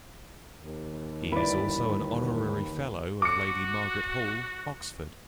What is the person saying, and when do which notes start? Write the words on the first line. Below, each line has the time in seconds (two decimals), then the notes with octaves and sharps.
He is also an Honorary Fellow of Lady Margaret Hall, Oxford.
0.58 D#2
1.32 D3 G3 D4 E4 B4 D5
3.22 F#4 D6 C#7